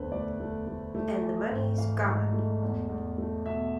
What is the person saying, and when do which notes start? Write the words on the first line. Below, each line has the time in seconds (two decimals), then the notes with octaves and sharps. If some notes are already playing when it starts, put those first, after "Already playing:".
And the money's gone!
Already playing: E1 D2 D3 A4 B4 C5
0.12 A3 D5
0.40 A3
0.67 A3
0.95 A3
1.23 E3
1.51 G#1
1.78 E3 F5
2.07 G#2
2.34 A3
2.62 E2
2.89 E2
3.18 A3
3.45 B2 E5